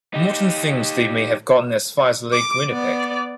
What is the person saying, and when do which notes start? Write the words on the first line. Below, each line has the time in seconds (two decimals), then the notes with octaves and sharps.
Morton thinks they may have gotten as far as Lake Winnipeg.
0.14 D#4 G4
2.32 D6
2.69 B3 D5